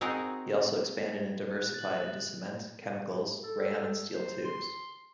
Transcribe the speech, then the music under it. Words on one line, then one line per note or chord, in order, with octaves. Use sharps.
He also expanded and diversified into cement, chemicals, rayon and steel tubes.
C4 D#4 F#4 G#4 A#4
F#6
A6 F#7
A4
C5
C6